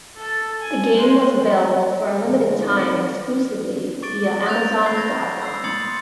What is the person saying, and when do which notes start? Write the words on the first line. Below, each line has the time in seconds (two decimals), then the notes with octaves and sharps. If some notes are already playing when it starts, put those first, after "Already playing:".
The game was available for a limited time exclusively via Amazon dot com.
0.16 A4 A5
0.62 G#5
0.97 G#3 C5
2.23 A2 C#3 E3 G#3
2.59 D3 F3 F#3 C4 D#4 B4
4.02 C#6 D6 A6 D7
4.46 F#6 G6 A6 F7
4.82 B5 C#6 G#6 C7
4.97 G#6 A#6
5.42 E6 C7
5.64 C6 D#6 G#6 A6 C#7 F#7